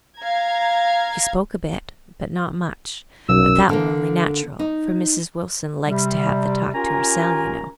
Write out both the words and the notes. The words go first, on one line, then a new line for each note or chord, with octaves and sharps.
She spoke a bit, but not much; but that were only natural, for Mrs. Wilson likes to have the talk to hersel, you know.
F5 A#5 G#6
B1 F#2 E6
D3 A#3
D#4
C3 G3
C#4 F4 G4 A#4 G#5 A#5